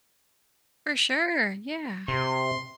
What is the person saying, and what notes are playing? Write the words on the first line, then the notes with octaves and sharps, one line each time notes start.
For sure, yeah.
C3 C6